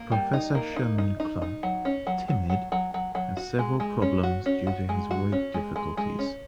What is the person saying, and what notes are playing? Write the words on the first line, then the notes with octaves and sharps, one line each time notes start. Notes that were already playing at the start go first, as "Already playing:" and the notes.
Professor Sherman Klump, timid, has several problems due to his weight difficulties.
Already playing: A#3
G3
D#4
A#3
D#4
D#4
D#4
D#4
F#3
C#4
F#3
F#3
F#3
F#3
F#3
F#3
F#4
G#3
G#3
C#4
F#4
C#4
F#4
G#3
F#4
C#4
G#3
G#3
G#3
C#4